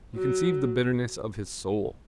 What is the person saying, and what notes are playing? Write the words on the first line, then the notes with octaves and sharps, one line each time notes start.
You conceive the bitterness of his soul.
F#3